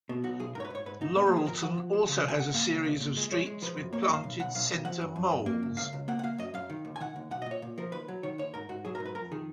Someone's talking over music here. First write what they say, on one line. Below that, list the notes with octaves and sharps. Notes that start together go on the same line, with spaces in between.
Laurelton also has a series of streets with planted center malls.
B2
B1 F#4
B1 G#4
G#2 A#4 C#5
B4
G#2 C#5
G#2 B4
G#2 D#4
G#3 B3
A#3
F3 G#4
F2 A#4
F3 F#5
F3
G#3
C#3
C#3 G#5
C#2 F#5
A#3 F5
C#2
C#2
A#2
G#3
G#3 C#5
G#3
F3 B4
F#2
A#3 C#5
D#5
F#2 F5
B1
B1 F#5
B1 F5
B1
F3 F#5
F#2
F#2
F#2
A#3
C#2
C#2 F5
C#2
A#3 F#5
F#5
A#3 F5
F#2 D#5
F#2 F5
D#3
D#2
G#5
D#3 F#5
D#2
B1 F#5
D#5
A#2 C#5
A#2
F3 A#4
D#2 B4
F#3
D#3 C#5
D#2 C#5
G#2 A#4
G#2 F#4
F#3 G#4
A#4
G#2
B4
F2 A#4
D#3 G#4